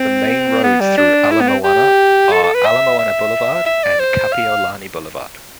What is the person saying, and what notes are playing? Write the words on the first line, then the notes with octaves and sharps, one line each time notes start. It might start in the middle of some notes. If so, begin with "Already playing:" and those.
The main roads through Ala Moana are Ala Moana Boulevard and Kapiolani Boulevard.
Already playing: C4
B3
G3
D4
E4
B3
C4
G4
A4
A4
B4
E5
E5
E5
D5
C5
F5